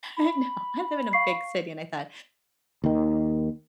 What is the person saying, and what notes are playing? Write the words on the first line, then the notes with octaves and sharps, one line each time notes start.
No, I live in a big city, and I thought,
B5
F5 C#6 C7
D#2 D#3